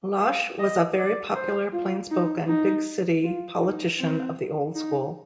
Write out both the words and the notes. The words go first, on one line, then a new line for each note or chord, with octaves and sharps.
Lausche was a very popular, plain-spoken, big-city politician of the old school.
F5
D#5
D5
C5
F4
D#4
D#4
F4
D#4
C4
D#4